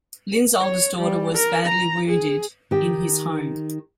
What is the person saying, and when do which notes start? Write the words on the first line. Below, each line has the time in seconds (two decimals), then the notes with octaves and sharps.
Lin's oldest daughter was badly wounded in his home.
0.61 C#5
0.99 G3
1.35 A#4
1.66 A#5
2.08 G#4
2.71 D#3 G4